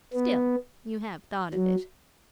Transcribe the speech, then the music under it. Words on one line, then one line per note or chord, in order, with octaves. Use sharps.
"Still, you have thought of it?"
B3
F#3